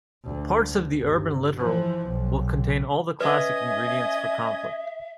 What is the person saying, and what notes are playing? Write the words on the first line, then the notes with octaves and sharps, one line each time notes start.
Parts of the urban littoral will contain all the classic ingredients for conflict.
D2
G1
E3 F3
B1
C#4 B4 D#5 E5 G#5 G#6